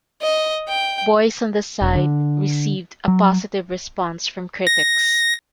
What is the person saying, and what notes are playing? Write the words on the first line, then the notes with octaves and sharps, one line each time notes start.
"Boys on the Side" received a positive response from critics.
D#5
G5
E1
D3
F#3
A#6